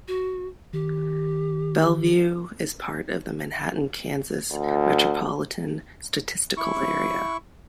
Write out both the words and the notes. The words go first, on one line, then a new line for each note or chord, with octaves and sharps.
Belvue is part of the Manhattan, Kansas Metropolitan Statistical Area.
F#4
D#3 G4
D2
E4 C#6